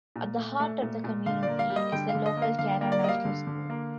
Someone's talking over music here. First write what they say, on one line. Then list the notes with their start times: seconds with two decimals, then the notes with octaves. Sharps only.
At the heart of the community is the local Carra National School.
0.16 A#2
0.37 A3
0.60 A3
0.82 A#2
1.04 A#2
1.26 D3 F5
1.43 A#3 D5
1.59 F5
1.70 G3
1.76 D#5
1.92 D3 G5
2.09 F5
2.15 D3
2.26 D#5
2.37 A#3
2.42 F5
2.59 D3 F5
2.81 A#3
2.92 D5
3.03 G3 D#5
3.09 F5
3.25 D3
3.47 D3
3.70 A#3